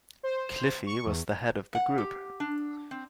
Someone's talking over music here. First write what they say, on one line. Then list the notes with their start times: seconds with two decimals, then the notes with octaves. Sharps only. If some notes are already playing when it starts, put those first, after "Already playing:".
Cliffy was the head of the group.
0.23 C5
0.86 C#6
1.06 E2
1.75 F#5
1.98 G4
2.40 D4
2.91 C4